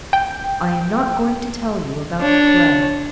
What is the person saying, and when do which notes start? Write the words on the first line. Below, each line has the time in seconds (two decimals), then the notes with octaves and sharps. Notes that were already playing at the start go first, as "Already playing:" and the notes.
I am not going to tell you about the play.
0.13 G5
2.21 D4 C#5